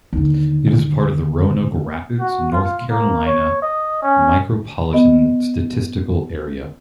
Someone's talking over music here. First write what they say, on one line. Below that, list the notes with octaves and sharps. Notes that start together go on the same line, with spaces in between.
It is part of the Roanoke Rapids, North Carolina Micropolitan Statistical Area.
D#2 D3
F#4
F4
A#3
C#5
D#5
C#4
B3 D#5